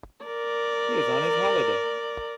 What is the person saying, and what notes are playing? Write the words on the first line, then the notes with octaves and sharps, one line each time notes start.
He is on his holiday.
A#4 D5